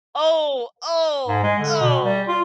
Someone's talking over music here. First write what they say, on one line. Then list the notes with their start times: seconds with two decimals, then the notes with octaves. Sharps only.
Oh, oh, oh.
1.27 G#2
1.43 G#3
1.59 D3
1.80 B2
2.02 G3
2.27 F4